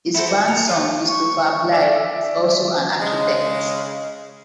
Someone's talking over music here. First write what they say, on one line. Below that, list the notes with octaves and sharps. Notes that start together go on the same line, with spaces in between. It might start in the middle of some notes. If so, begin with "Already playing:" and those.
His grandson Christopher Bligh is also an architect.
E4 F#4 A4 C5
F#4
A#4
F4 A4 C#6
C#6
D5 E5
C#3 G#3